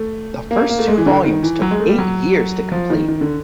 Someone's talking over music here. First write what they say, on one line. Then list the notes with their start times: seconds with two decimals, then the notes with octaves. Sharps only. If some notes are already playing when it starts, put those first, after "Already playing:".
The first two volumes took eight years to complete.
Already playing: A3
0.51 A#3
0.69 A#3
0.79 A3
0.88 G#3
0.98 E3
1.06 D3
1.25 D#3
1.43 E3
1.62 F#3
1.71 G#3
1.80 A3
1.89 G3
1.98 F#3
2.72 F3
2.90 D#3
3.09 D#3
3.21 D3